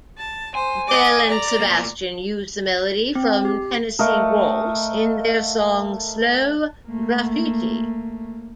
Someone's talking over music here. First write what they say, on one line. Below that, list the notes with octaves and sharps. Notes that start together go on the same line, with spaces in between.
Belle and Sebastian used the melody from "Tennessee Waltz" in their song "Slow Graffiti".
A5
C5 G#5
D#5 D6
D5 A#5
B2 A#3
C4
G4
A3 A#4 D#5 F5
A3 A#3